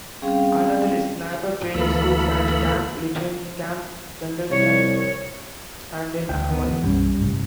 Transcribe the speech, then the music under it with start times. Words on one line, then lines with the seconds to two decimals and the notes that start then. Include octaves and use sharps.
Another is Sniper training schools at Camp Lejeune, Camp Pendleton and in Hawaii.
0.22 G3 C4 C#4 G#4 F5 G5
1.74 D2 E3 A#3 A4 B5
4.51 C2 C#5
6.29 D2 G5
6.52 B3
6.70 E3
6.83 B1 F#2 G3 C#4
7.18 G1 C2 A2